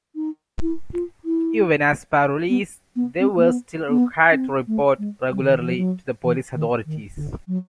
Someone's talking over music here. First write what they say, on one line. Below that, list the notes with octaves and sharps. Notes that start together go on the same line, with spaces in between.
Even as parolees, they were still required to report regularly to the police authorities.
D#4
E4
F4
E4
B3
B3
C4
A#3
B3
B3
C#4
C4
A3
G#3
G3
D3
D#3
E3
F3
F#3
E3
D#3
D#3
D3
F#3